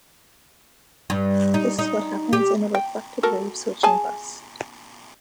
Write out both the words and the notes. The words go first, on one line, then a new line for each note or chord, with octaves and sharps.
This is what happens in a "reflected-wave switching" bus.
G2
D#4
D#4
G4
G5
F#4 A4 A#4
G#4 G#5 A5